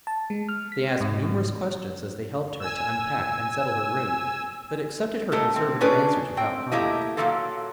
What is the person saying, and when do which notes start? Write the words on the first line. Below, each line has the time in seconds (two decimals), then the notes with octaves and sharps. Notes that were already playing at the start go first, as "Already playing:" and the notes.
They asked numerous questions as they helped her to unpack and settle her room, but accepted her conservative answers without comment.
0.07 A5
0.30 G#3
0.49 F6
0.72 B6
1.01 G#2
1.23 G#2
2.60 G#5 E6
5.32 A#2 A3 A4 A#4 D#5
5.56 C4
5.81 C#4 D4 G#4 B4 C#5 D5
6.37 C4 G5
6.72 A3 A#3 E4 G4 D#5
7.17 A#2 F#3 G3 A#3 F4 A4